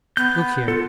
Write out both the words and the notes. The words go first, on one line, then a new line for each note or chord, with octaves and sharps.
Look here!'
B3 G6
F4 A4